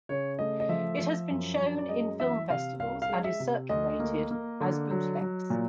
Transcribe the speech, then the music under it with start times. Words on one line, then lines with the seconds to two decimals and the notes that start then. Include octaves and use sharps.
It has been shown in film-festivals and is circulated as Bootlegs.
0.09 C#3 C#5
0.39 A3 D#5
0.60 D#5
0.69 F3 E5
0.99 F3
1.30 F#2
1.59 F#2
1.77 D5
1.89 G#3 D#5
2.19 E3 E5
2.50 C3 F5
2.80 C2 F5
3.02 F5
3.09 G#3
3.24 E5
3.40 C3
3.69 D2 D#5
3.99 A#3
4.31 A#3
4.60 D3
4.91 F#3
5.21 F#3
5.50 A#2